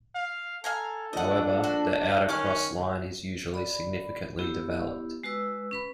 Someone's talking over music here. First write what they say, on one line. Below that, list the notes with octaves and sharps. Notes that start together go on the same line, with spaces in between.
However, the outer cross line is usually significantly developed.
F5
A4 F5 G#5 A#5
A#1 D4 D#5 F#5
F#4
D#3 C#4 D6 F6 F#6
D5 B5
B3 E4 G4
G#3 F#4 B4 E6
C#4 B4 B5